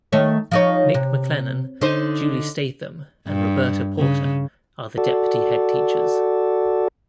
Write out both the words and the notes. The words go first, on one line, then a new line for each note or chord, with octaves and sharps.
Nick McClellan, Julie Statham and Roberta Porter are the deputy head teachers.
D#3 A3 C#5
F3 D#4 C#5
C3
D3 D#4 C5
G2
C#3
F#4 A4 D5